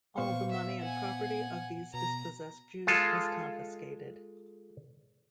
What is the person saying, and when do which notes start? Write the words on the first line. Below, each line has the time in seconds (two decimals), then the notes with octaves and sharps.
All the money and property of these dispossessed Jews was confiscated.
0.18 A#2 B3 C5 F5 C#6
0.51 E5
0.82 F#5 G#5
1.94 B2 A#5
2.87 G#3 F4 A4